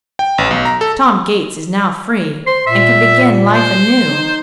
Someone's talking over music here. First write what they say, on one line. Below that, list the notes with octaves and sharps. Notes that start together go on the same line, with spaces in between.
"Tom Gates is now free, and can begin life anew."
G5
A1
B1
A#5
A4
C5 C6
A#2 E5
C5
D#4